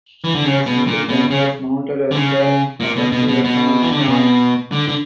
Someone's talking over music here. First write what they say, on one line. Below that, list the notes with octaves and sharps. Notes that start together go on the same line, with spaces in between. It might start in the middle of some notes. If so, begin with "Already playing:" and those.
A single gun was mounted as the offensive weapon at launch.
E3
D3
C#3
B2
A#2
B2
C#3
D3
C#3
A#2
B2
B2
B2
B2
E3
D3
C#3
B2
D3
D3